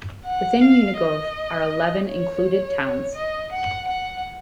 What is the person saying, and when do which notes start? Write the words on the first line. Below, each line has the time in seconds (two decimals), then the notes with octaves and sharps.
Within Unigov are eleven "included towns".
0.25 F#5
0.61 F5
0.97 D#5
2.06 C#5
3.15 D#5
3.52 F#5
3.88 F#5